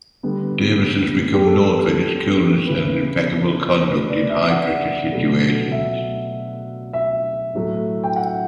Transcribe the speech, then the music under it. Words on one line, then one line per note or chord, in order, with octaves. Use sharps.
Davis has become known for his coolness and impeccable conduct in high-pressure situations.
D3 G3 B3
G4
A4
C#3 E3 B3 B4
B4
D5
E5
F#5
B2 F#3 A3
E5
E5
A2 F#3 A3
G5
F#5